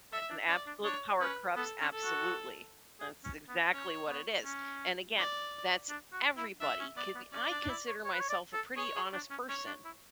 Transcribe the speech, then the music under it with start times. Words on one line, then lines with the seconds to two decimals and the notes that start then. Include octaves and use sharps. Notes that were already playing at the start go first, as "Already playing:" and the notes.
and absolute power corrupts absolutely. That's exactly what it is, and again, that's everybody, c I consider myself a pretty honest person,
0.12 A4 E5
0.30 D4
0.48 C#4 D5
0.67 D4
0.84 D4 C#5
1.20 C#4 B4
1.56 B3 A4
1.80 C#4
1.92 A4
2.04 F#4
3.00 G#4
3.24 C#4
3.48 B3
3.73 C#4 C#5
4.09 B3
4.44 C#4
5.17 D5
5.89 D4
6.13 F#4
6.37 E4
6.60 D4 E5
6.79 C#4
6.96 B3 D5
7.15 B3
7.32 C#4 D5
7.51 D4
7.63 D4
7.69 E4
7.87 C#5
8.05 C#5
8.13 B4
8.20 C#5
8.29 D5
8.53 A4
8.76 G#4 C#5
8.95 G#4
9.13 D4
9.30 C#4
9.48 C#4 C#5
9.67 D4
9.85 E4